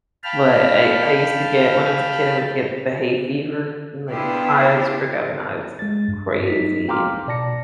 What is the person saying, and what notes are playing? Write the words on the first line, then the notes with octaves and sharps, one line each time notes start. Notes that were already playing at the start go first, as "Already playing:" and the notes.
but I I used to get when I was a kid, I would get the hay fever and, like, hives, break out in hives c crazy and
F5 G5 A5 B5 F6
B3 D4 E4 F4 G4
G#3 A6
G2
D#4 B6
F5 G5 A#5 C6 D6 F6
B2 D5 A5 A#6 C#7